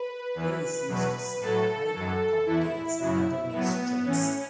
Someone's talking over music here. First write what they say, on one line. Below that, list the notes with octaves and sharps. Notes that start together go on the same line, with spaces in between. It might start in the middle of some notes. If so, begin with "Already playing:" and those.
It is used to serve highball cocktails and other mixed drinks.
Already playing: B4
E2 E3
E2 B2 F#3
A2 F#3 A4
F#2 F#3
E2 E3 E4
F#2 C#3 F#3
A2 F#3 B3
A2 E3 C#4